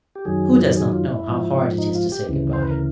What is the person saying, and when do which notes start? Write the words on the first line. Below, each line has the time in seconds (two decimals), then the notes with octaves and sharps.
Who does not know how hard it is to say good-bye?
0.15 G4
0.25 F#2 D#3 F#3 G#4
0.77 G#4
0.93 F4
1.10 E4
1.27 G#2 F3
1.78 D#4
1.95 F4
2.12 G4
2.29 D2 C#3 E3
2.53 C5
2.62 B4
2.71 A#4